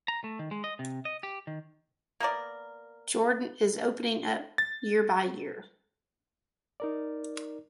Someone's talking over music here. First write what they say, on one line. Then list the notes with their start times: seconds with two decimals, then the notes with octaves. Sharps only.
Jordan is opening up year by year.
0.08 A#5
0.24 A3
0.39 D#3
0.51 G#3
0.64 D#5
0.79 C3
1.05 D#5
1.23 G4
1.47 D#3
2.20 A#3 B3 A#4 D5
4.58 A6
6.80 D#4 A#4 D5